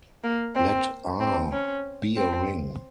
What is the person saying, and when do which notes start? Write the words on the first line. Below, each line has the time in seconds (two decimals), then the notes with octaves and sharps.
Let "R" be a ring.
0.24 A#3
0.55 C4
1.20 C4
1.52 C#4
2.17 C4